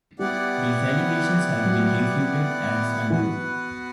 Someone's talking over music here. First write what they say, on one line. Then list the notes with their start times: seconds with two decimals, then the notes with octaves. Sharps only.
These allegations have been refuted as untrue.
0.19 G3 B3 E4 G4 D5 F#5
1.65 F#3
3.10 E3 B3 F#4 B4 F#5